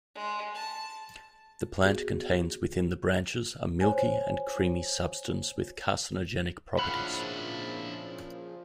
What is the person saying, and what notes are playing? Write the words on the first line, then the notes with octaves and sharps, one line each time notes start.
The plant contains within the branches a milky and creamy substance with carcinogenic properties.
G#3
A5
B3 F#4 G#4
C5 C#5 G#5
A#2 C#3 F3 D4 E4 F5 F#5 B5